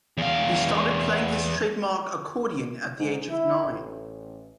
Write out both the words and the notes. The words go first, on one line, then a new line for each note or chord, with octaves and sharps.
He started playing his trademark accordion at the age of nine.
E2 F5
G#2
E4
A1